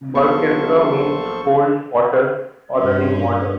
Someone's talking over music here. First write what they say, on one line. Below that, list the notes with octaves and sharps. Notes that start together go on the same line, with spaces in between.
"Birkirkara" means "cold water" or "running water".
A#1 F#3 B3 A4 C5 F5 B5 C#6
G2 C#4